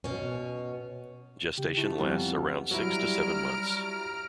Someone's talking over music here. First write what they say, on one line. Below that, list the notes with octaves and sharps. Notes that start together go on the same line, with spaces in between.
Gestation lasts around six to seven months.
B2 C#4
C#3 G4
A3 E4
F2 E3 F#3 G3 B3
F#3 G3 E4 A#5 F6 D7